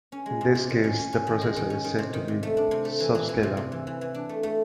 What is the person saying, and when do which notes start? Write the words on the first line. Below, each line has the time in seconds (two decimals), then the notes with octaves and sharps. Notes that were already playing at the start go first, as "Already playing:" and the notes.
In this case, the processor is said to be "subscalar".
0.12 C#4
0.26 G#3
0.41 C3
0.55 C3
0.70 D#3
0.84 C#4
0.99 C#4
1.13 C#4
1.27 D#3
1.41 G#3
1.56 D#3
1.70 C#4
1.84 D#3
1.99 C3
2.13 D#3
2.28 C3
2.43 A3
2.57 D4
2.71 C3
2.85 A3
3.00 E3
3.15 E3
3.29 E3
3.43 C3
3.57 C3
3.72 E3
3.87 E3
4.01 E3
4.14 D4
4.29 A3
4.43 A3